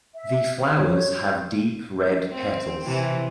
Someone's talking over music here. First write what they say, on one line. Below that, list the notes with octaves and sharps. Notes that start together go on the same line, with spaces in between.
The flowers have deep red petals.
E5
C#5
C4
C3 E3